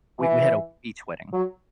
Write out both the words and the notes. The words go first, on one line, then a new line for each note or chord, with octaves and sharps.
we we had a beach wedding
E3
F#3